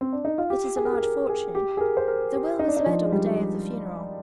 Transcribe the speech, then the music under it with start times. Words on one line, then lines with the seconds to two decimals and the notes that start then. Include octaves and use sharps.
It is a large fortune. The will was read on the day of the funeral.
0.01 C4
0.13 D4
0.25 D#4
0.38 F4
0.50 G4
0.76 G#4
0.85 A#4
0.93 G#4
1.02 A#4
1.29 G#4
1.55 G4
1.77 G#4
1.81 A#4
1.97 C5
2.08 A#4
2.33 G4
2.59 D#4
2.68 D4
2.77 D#4
2.86 F3
3.05 G#3
3.12 G3